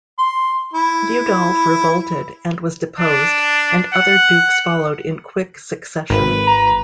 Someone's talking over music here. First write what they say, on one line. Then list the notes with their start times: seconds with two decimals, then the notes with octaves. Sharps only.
Liudolf revolted, and was deposed, and other dukes followed in quick succession.
0.18 C6
0.74 E4
3.00 D4
3.93 F#5
6.10 G#1 B4
6.47 A#5